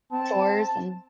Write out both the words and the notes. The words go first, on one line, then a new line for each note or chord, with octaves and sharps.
chores and
C4 A5